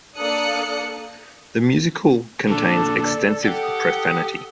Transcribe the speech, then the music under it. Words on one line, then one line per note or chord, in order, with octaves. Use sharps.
The musical contains extensive profanity.
A#3 D4 A4 D#6 F#6 C#7
A#2 D3 D4 A4 A5
D5
G4 A4 F#5
D#6